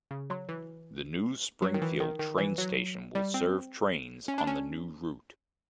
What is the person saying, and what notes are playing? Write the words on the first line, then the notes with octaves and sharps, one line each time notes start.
The new Springfield train station will serve trains on the new route.
C#3
F#3
E3
F#3
D#3
E3
D#3
D#3
E3
F#3
G3
C4
C#4
D4
C#4